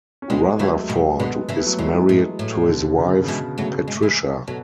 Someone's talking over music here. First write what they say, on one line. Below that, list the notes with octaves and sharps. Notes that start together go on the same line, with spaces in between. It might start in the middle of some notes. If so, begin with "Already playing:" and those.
Rutherford is married to his wife, Patricia.
C#4
B2 D3 G#3 B3
C#3 E3 F#3 A3
B2
B2 D3 G#3 B3
C#3 E3 A3
B3
F#3 A3
C#3 E3 G#3
A2
A2
B2 D3
C#3
C#3
B2 E3 G#3
C#3 F#3 A3
G#3
A3
E3 G#3
B2 F#3 A3